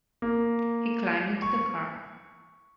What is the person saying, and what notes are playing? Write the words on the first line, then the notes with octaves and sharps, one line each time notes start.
He climbed into the car.
A#3
C#6